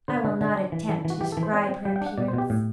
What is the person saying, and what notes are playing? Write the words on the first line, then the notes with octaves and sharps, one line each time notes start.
I will not attempt to describe her appearance.
D3 C5
D3 B4
D3
D4
E3
E3 A4
E3
F#4
E3 G4
A4
E3
C5
C4 D5
C5
C4
G3 G5
G5
D4
F#5
B2 D5
C5
B2 G4
A2